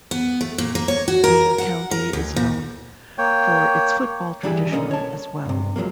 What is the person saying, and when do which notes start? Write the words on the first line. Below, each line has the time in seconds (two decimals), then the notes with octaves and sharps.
Boone County is known for its football tradition as well.
0.11 B3
0.41 A3
0.58 A#2
0.75 A#3
0.88 C#5
1.08 F#4
1.24 A#4
1.58 F#5
1.91 A#4
2.13 D2
2.36 A#2
3.18 A#3 C#5 G5
4.43 E3 G3 D4 E4 G4 G#4
4.72 B1 D3 A#3 C#4 D#5
4.91 C#5 A5
5.46 G2 C3
5.76 F3 F#3 G#3 A#3